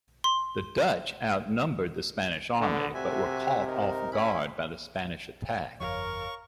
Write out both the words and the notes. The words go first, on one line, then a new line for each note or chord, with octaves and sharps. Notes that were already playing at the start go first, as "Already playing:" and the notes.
The Dutch outnumbered the Spanish army, but were caught off-guard by the Spanish attack.
C6
D3 B3
C3 F#4 E5 G#5
D#4 A#4
C#4 E4 B5
G1 F2 F3 A#4 C#5 F5 C#6